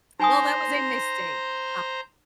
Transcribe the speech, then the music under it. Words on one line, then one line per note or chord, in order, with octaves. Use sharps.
well, that was a mistake, ha
D#4 C5 G#5 A#5 D#6